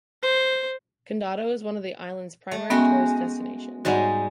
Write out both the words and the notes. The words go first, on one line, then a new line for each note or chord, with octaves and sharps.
Condado is one of the island's primary tourist destinations.
C5
A3
G#3 B3 C#4 F#4 G5
G#2 G3 G#3 F#4 F#5